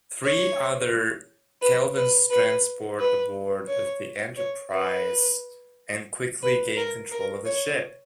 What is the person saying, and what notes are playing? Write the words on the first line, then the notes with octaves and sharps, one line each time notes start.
Three other Kelvans transport aboard the "Enterprise", and quickly gain control of the ship.
C#5
B4
B4
B4
B4
C#5
C#5
B4
B4
A#4
A#4
C#5